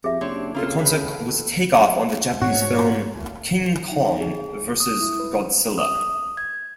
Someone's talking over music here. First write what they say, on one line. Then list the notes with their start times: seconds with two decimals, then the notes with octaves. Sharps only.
The concept was a take-off on the Japanese film, King Kong Versus Godzilla.
0.04 F2 G4 G#4 E5
0.21 F#1 C4 D4 C#5
0.54 C#3 A#3 C4 F4 A4
0.79 A2 A4 B4
2.42 G#2 F#4 C#5
3.92 D#4
4.21 G#4
4.80 D#6
5.00 E4
5.20 B4
5.78 D#6
6.37 G#6